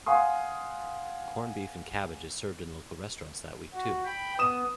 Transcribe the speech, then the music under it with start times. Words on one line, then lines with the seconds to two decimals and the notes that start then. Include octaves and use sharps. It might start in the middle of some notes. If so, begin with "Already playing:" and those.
Corned beef and cabbage is served in local restaurants that week too.
0.06 F5 F#5 G#5 C6 D#6
3.73 F#4
4.05 G5 B5
4.39 B3 D#6 E7